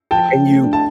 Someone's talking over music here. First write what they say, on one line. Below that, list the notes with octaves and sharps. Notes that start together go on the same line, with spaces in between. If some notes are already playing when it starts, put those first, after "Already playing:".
and you
F3 G5 A5
F3
A3
D4
A5